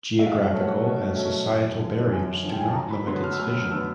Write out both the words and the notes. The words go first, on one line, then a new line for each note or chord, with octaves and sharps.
Geographical and societal barriers do not limit its vision.
B2 E5
F5
E5
F5
F#3 A3 C#4
F#5
B2
F#3 A3 C#4
F#2
D3 F3
F#2 G#5
D3 F3
G5
G#5
A5
D2 A#5
B5
D3 F#3 B3 C6
F6
E6
D2 F6
F6
D3 F#3 B3 E6